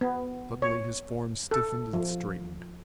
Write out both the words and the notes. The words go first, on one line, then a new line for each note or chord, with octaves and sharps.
Suddenly his form stiffened and straightened.
B3
C#5
A4
F3